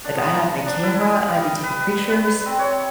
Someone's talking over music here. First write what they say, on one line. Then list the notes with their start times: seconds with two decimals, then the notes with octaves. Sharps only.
Like, I'd have my camera, and I'd be taking pictures,
0.04 D4
0.17 B3
0.32 A#5
0.66 D4
0.83 E4
1.01 D#5
1.28 G3
1.64 B4
2.09 B4
2.46 C4
2.59 C#5